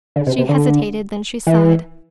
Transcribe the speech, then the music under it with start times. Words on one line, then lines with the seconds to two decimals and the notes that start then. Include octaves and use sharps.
She hesitated; then she sighed.
0.16 D3
0.27 C3
0.38 C3
0.49 D3
1.47 E3